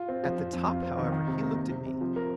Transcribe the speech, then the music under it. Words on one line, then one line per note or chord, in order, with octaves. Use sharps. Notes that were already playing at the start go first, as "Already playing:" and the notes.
At the top, however, he looked at me.
Already playing: F4
C4
F3
F2
F2
F4
C4
D#3
D#3
C3
A#3
C3
C3
C3
F3
A#4